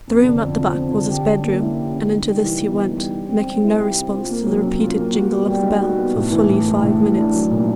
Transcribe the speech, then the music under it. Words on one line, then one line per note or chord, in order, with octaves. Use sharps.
The room at the back was his bedroom, and into this he went, making no response to the repeated jingle of the bell for fully five minutes.
F2
D3
F2
F3
F2
D3
G4
C#4
A#3
E4
G4
C#4
D#4
G3
E3
B3
D#4
G3
G4
C4
G3
E4
G4
C4
F4
A#3
F#3
C#4
F4
A#3
F#4
B3
G3
D#4
F#4
B3
A2
E3
A2
G#3
A2
E3
D4
F#3
A#2